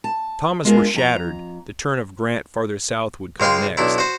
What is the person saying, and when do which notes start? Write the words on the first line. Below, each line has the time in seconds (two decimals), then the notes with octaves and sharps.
If Thomas were shattered the turn of Grant farther south would come next.
0.04 A5
0.65 G#3 B3 D4 F4 G#4 A#4
0.94 F2 A5 A#5
3.40 C#2 G#3 F5 G5 C6
3.77 B1 D4 E4
3.98 F#4 C5